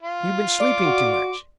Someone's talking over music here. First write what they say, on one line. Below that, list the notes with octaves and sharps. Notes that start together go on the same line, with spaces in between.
You've been sleeping too much.
F4
D5 C6 D6
F#4